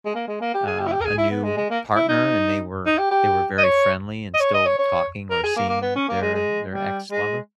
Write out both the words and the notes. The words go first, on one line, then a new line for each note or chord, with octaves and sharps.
uh, a new partner and they were they were very friendly and still talking or seeing their their ex-lover?
G#3
A#3
G#3
A#3
G4
G#4
G4
E4
G4
A#4
G#4
E4
B3
G#3
G#3
A#3
E4
D#4
D#4
G4
G4
D#5
C#5
D#5
C#5
D#5
C#5
C#5
A#4
G#4
A#3
A#3
B3
C#4
A#3
G#3
G#3
G3
G#3